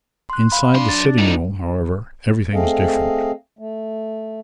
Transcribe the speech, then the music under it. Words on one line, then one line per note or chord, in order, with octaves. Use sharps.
Inside the sitting room, however, everything was different.
C6 F#6
F5 B5
F#3 D4 C6
A6
A2 D#4 F4
A3 C4 G#4 A4 D#5 F5
A3